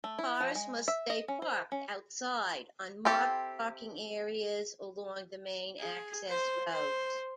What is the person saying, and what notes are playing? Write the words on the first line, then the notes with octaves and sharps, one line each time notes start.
Cars must stay parked outside on marked parking areas along the main access roads.
A3
E4
F3
G#3
E5
D#5
C#4
C5
C#4
C4 E4 G4 A4
G#4
C5
C5